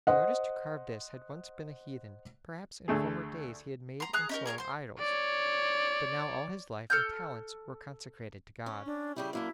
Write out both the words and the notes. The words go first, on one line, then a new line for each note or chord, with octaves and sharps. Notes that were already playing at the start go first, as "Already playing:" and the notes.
The artist who carved this had once been a heathen; perhaps in former days he had made and sold idols, but now all his life and talents were consecrated to God.
C5 D#5 F#5
D2 A3 G#4
A#5 C6
G#4 A#5 F#6
C#4 D#4 A#4
G#4 A#4 C5 C#5
C5 C6
C#5 D5
A4 F6 G6
C#4
D4
C#3 G3 E4 G4
F#2 A#3 D4 E4